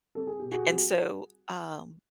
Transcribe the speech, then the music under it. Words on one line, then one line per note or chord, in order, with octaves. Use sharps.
and so, um,
G3 C4 A4
G#4
B2 G4
F#4 G#4
G3 C4